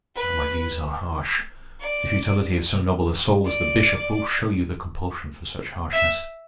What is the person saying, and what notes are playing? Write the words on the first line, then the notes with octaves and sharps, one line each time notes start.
My views are harsh; the futility of so noble a soul as the Bishop will show you the compulsion for such harshness.
B4
D5
D5
E5